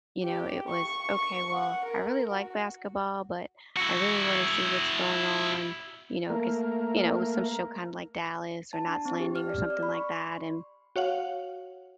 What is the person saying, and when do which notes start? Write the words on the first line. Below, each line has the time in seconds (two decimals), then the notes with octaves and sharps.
you know, it was "Okay, well, I really like basketball, but I really wanna see what's going on," you know? 'Cause, you know, it was some show kind of like Dallas, or Knots Landing, or something like that, and,
0.23 G4
0.69 C#6
1.13 C#6
1.54 F#5
1.85 A#4
2.31 F#4
3.77 E4 F#4
6.30 A3 A#3 A#4
8.73 A5
8.87 D4
9.05 C4
9.20 G4
9.35 F6
9.49 D5
9.70 D5
9.83 B5
9.94 C#6
10.12 C6
10.96 F#4 C#5 F5 F#5